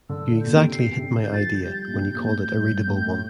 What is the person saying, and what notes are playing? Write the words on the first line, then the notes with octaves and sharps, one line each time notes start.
You exactly hit my idea, when you called it a readable one.
D3 E6
G6
A#2
C3 D7
C7
C3
D3
G6
F3 A6
G3 G6
A6
G6
A#2
C3
A#2
A2
G2
A2